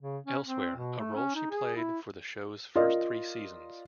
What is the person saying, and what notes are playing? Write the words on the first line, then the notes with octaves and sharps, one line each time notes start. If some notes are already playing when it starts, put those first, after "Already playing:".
Elsewhere, a role she played for the show's first three seasons.
C#3
C#4
C4
B2
A3
C#4
D#4
G#4
E4
F4 A#4 D5 D#5